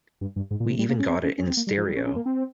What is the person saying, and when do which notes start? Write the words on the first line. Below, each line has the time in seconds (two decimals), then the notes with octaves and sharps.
We even got it in stereo.
0.21 G2
0.36 G2
0.51 G#2
0.60 A#2
0.69 C3
0.79 G3
0.89 A#3
1.00 C#4
1.09 C4
1.24 C#4
1.38 C#4
1.47 C4
1.57 A#3
1.67 G3
1.77 F3
1.87 G3
1.96 C#4
2.06 C#4
2.16 A#3
2.26 C4